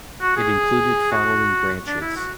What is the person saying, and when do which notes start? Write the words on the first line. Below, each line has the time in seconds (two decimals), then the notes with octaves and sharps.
It included following branches.
0.21 F#4
0.37 G#4
1.12 F#4
1.87 D4
2.01 E4
2.16 F#4